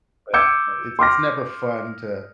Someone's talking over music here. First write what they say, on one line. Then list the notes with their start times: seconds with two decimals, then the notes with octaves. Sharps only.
But, no, it's it's never fun to
0.34 D6 E6 G6 G#6 C#7
0.99 C6 D6 F6 A#6